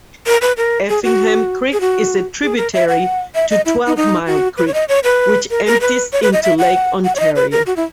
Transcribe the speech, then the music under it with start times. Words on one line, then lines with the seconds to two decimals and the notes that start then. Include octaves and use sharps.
Effingham Creek is a tributary to Twelve-Mile Creek, which empties into Lake Ontario.
0.27 A#4
0.42 B4
0.57 A#4
0.89 G#4
1.04 F#4
1.73 G#4
1.81 F#4
2.43 G#4
2.57 A#4
2.74 E5
2.88 F#5
3.35 E5
3.50 D#5
3.66 E4
3.87 D#4
3.97 D#4
4.27 F#4
4.57 B4
4.67 C#5
4.74 D#5
4.89 C#5
5.04 B4
5.50 A#4
5.66 A#4
5.81 B4
6.13 C#5
6.23 B4
6.33 D#5
6.43 E5
6.59 F#5
7.04 F#5
7.15 C#5
7.19 D#5
7.36 B4
7.52 A#4
7.66 F#4
7.77 E4